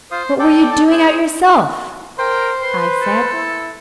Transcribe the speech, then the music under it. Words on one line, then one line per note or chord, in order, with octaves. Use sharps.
"What were you doing out yourself?" I said.
F4 C5 F5 D#6
C6
A4 D5 G5 D6
A5
G#4 C5
A#4 C5 G5
B4 C6
A4
E4